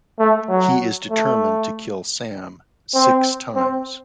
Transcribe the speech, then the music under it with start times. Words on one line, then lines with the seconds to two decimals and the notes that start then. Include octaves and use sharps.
He is determined to kill Sam "six times".
0.19 A3
0.49 F#3
1.11 A3
2.94 C4
3.55 C4